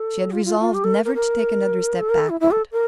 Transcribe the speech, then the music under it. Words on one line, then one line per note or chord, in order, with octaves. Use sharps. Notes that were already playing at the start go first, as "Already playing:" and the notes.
She had resolved never to take another step backward.
Already playing: A4
F4
F4
F4
G4
A4
A#4
A#4
A#4
A4
A#4
A4
E4
E4
A4
A#4